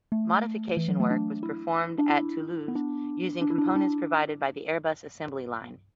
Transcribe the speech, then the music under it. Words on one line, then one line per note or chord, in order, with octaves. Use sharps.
Modification work was performed at Toulouse using components provided by the Airbus assembly line.
A3
E3
F#3
A3
D4
E4
D4
E4
B3
D4
D4
E4
D4
E4
D4